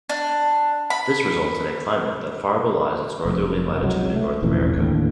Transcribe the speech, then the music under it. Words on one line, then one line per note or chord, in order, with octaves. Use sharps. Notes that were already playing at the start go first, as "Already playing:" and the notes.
This results in a climate that far belies its northerly latitude in North America.
D4
B5
F1
C2 F#3 G#3
A3
E1 A1 F2 E3
D#2 A2 D3